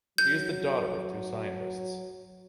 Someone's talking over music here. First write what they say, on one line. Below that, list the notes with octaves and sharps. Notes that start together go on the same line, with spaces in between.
She is the daughter of two scientists.
F#3 G6